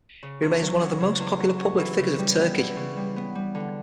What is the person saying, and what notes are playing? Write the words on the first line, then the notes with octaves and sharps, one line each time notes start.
He remains one of the most popular public figures of Turkey.
C#3
E2
F#3
C#4
C#3
E2
F#3
C#4
E3
C#3
G3
B3
E3
C#3
G3
B3
G3
D3